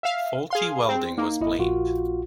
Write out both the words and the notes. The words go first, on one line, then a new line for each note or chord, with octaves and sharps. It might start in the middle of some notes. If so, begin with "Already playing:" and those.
Faulty welding was blamed.
E5 F5
G#4 F5 C6
C4 G#4
A#3 D#4
G#1 E4 D#5
A#1 F4 F#4